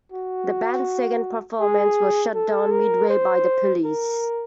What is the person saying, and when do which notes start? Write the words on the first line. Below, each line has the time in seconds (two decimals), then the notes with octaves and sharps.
The band's second performance was shut down midway by the police.
0.12 F#4
1.60 G#4
2.35 A4
2.72 A#4
3.09 C5
3.84 A#4